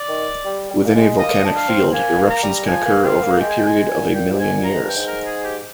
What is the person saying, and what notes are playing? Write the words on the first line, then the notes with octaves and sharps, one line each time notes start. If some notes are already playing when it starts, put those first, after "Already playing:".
Within a volcanic field, eruptions can occur over a period of a million years.
Already playing: D5
D#3
G3
G3
A#3
G#3
A#3 D#5
D4
F5
C4
A#3 G#5
A#3
A#5
G3
F3 G#5
A#3
C4 F5
A#3
G#3 G5
G#5
G5
G#3 G#5
A#2 G#5
A#2 G5
A#2
G#2
G#5
A#2
A#5
G#2
G2
G5
G#2
A#4
G#4
G4